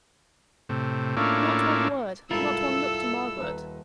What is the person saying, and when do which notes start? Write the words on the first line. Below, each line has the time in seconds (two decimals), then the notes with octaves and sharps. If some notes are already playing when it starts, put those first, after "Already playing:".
Not one word: not one look to Margaret.
0.69 A2 C3
1.17 A2 A#3 C#4 D4 E4 F4
2.31 C2 G#2 E4 F4 A4 A#4 E6
3.39 D#1 B4 A#5